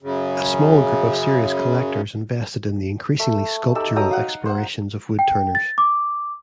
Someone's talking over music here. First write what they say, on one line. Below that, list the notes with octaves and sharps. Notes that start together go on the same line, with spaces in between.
A small group of serious collectors invested in the increasingly sculptural explorations of woodturners.
F#2 C#3
A3
D#4 G4 A4 E6
F#3 G5 A#5 D#6
F5 F#5
C5 F#5
G5
A6
D6